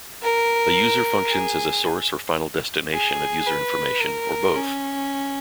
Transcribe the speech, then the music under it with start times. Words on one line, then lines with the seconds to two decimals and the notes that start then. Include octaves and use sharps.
A user functions as a source or final destination of user information, or both.
0.22 A#4
1.30 G#4
2.93 G#4
3.47 B4
4.01 A#4
4.56 C#4